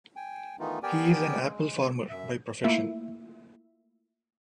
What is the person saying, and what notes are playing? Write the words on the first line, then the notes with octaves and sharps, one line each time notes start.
He is an apple farmer by profession.
G5 G#5
D#3 E3 A3 B3 D#4 F4
B3 G4 A#4 D5 G5 G#5
G#3
F#2 E5
A3 A#3 E4 F4 E5